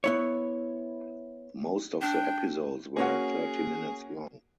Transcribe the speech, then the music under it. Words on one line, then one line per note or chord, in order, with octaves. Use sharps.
Most of the episodes were thirty minutes long.
B3 E4 C#5
D4 G5
A#3 C#4 F#4 G#4